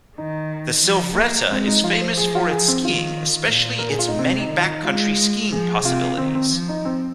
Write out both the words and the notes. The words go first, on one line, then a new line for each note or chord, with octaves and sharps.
The Silvretta is famous for its skiing especially its many backcountry skiing possibilities.
D#3 D#4
F3
A#3
G#3 C4
D#4
F3 F4
C5
G#4
F4
G#4
C4
D#3 F4
A#2
A#4
G#4
F4
D#4
C3 C4
D#4
D#3
F4
D#4
G#3 F4
F3 G#4
C3 F4
D#3 C4
C4
F3
D#4
C4